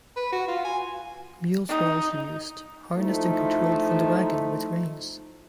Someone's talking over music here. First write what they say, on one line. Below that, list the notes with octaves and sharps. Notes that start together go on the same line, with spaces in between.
Mules were also used, harnessed and controlled from the wagon with reins.
B4
F#4
F4
G#5
D#4
F3 A3 D#4 E4